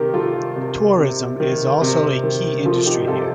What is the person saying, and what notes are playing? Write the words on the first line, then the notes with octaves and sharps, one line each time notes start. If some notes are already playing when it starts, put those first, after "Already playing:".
Tourism is also a key industry here.
Already playing: C3 D#3 G4 A#4
D#3 F4 A4
C3
C3
D#3
C3
D#3
F3 F4 A4
D#4 G4
G4
C3 F4 A4